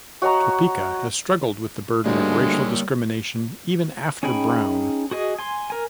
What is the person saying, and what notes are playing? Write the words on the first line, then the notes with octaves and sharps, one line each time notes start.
Topeka has struggled with the burden of racial discrimination even after Brown.
F#4 C#5 D#5 A#5
D2 G3 G#3 A#3 A#4 C#5
C#4 D#4 G#4 G5 B5
F#4 G#4 D#5
G#5 C6
A#4 G#5